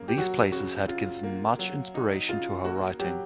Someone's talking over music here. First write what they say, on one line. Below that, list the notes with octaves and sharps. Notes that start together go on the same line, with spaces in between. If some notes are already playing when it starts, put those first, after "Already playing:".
These places had given much inspiration to her writing.
Already playing: C#3 A#3
G4
F#3 F#4
C#3 F#4
C#3 F4
A#3
F#3
D#4
C#3 F4
A#3 F#4
F#3 G4